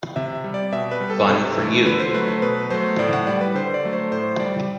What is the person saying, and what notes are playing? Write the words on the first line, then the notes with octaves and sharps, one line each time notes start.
Fun for you.
C3 E5
G3
D5
B2 E5
B4
G3
A4
C3 A4
E3 A3
D3 B4
C5
F#3 A3 B4
C5
B2 B4
F#3 A3 C5
A2 D5
F#5
G3 D5
B4
D3 C5
D5
F#3 A3
C5
A2 C5
G3 D5